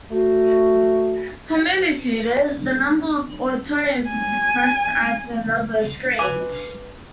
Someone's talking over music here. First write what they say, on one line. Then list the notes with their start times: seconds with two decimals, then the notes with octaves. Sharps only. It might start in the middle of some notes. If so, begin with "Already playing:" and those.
For movie theatres, the number of auditoriums is expressed as the number of screens.
0.11 A3 F#4
4.10 G#5
6.19 B4 G#5 D6